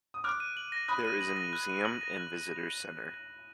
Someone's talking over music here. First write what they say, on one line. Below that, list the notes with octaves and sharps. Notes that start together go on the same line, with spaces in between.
There is a museum and visitors' center.
D#6
D6 F6 F#6
D#7
F#7
A#6
B5 D#6 F#6
D#7
F#7
A#6
F#6
D#7
F#7
A#6
F#6